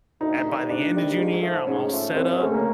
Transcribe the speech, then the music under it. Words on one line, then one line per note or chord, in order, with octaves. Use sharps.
At by the end of junior year, I'm all set up.
D2 D#4
C3 D#3 G3
D2 D4
C3 D#3 G3
G#2
F3 A3
G#2 C#4
F3 A3
C2 C4
B2 G#3 A3 C#4
A#3